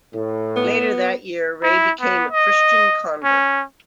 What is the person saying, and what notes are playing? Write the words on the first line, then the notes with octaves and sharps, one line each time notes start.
Later that year Ray became a Christian convert.
A2
B3
E4
B3
D#5
C#4